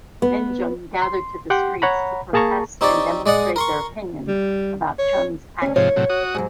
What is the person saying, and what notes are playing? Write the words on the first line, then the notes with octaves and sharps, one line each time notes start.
Minjung gathered to the streets to protest and demonstrate their opinions about Chun's action.
B3
C6
G4 F#5 G5 C6
C#5 F#5 A#5 B5
A#3 G#4 A5 A#5 C#6
C4 D#4 G4 C#5 D5
G#3 D5 D#5 F#5
A#4 C6 C#6
G3
C#5
D2 C#4
G#2 C3 F3 C#5
A2 C3 F#3
F#4 D#6
G#2 F#3